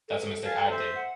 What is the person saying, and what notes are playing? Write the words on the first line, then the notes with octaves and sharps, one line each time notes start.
That's a mistake I did.
A4
F5 G#5 A5
C5 E5
F#5